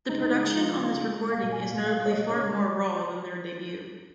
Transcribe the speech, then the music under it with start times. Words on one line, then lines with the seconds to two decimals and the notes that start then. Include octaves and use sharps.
The production on this recording is notably far more raw than their debut.
0.09 C#3 D#4
0.24 C#3 D#4
0.38 G#3 D#4
0.53 F3 F4
0.68 C#3
0.82 C#3 F4
0.97 G#3
1.13 A#3
1.28 A#3 F5
1.42 A#2
1.52 A#2 G#5
1.71 A#2 F5
1.86 A#3 F5
2.01 A#3 C#5
2.11 A#2 D#5
2.30 C#3 C#5